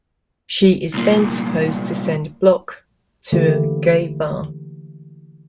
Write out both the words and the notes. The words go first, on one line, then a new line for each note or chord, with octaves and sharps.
She is then supposed to send Block to a gay bar.
C2 A#2
D3 E3 A3 A#3 E4 G4